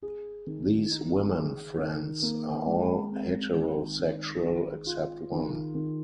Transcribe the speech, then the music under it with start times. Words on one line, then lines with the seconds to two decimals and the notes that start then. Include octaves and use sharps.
These women friends are all heterosexual except one.
0.02 G#4
0.47 D#3
0.91 D#4
1.35 G#4
1.78 D#3
2.22 A#3
2.66 G#3
3.11 C4
3.55 D#3
3.99 D#3
4.43 G#4
4.87 F4
5.32 D#3
5.75 D#3